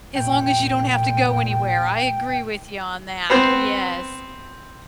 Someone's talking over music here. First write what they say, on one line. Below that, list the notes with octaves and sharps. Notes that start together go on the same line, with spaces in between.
As long as you don't have to go anywhere, I agree with you on that, yes.
F1 A#2 G5
B3 C4 C5